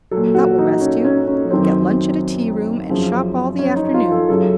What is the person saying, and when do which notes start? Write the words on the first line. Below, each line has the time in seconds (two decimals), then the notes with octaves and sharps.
That will rest you. We'll get lunch at a tea-room, and shop all the afternoon.
0.11 F#3 A4
0.17 A#2
0.35 F#4
0.58 D#4
0.81 C#4
1.05 C#4
1.28 C#4
1.51 F#2 D#3 F#3 C4
2.90 F#2 C#3 F3
3.59 C#4
3.76 D#4
3.94 F4
4.11 A4
4.29 F#2 C#3 F#3 A4